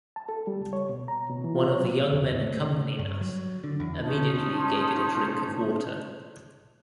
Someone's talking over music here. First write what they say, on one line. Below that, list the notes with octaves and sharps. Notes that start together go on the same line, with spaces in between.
One of the young men accompanying us immediately gave it a drink of water.
A5
A4
G3
C#2
C#5
B2
A#5
B2
E3
F4
C#5
F#3
E2
A2
A3
C#3
C#3
G2
F#3
D3
E2
C#4 D#4 F4 A5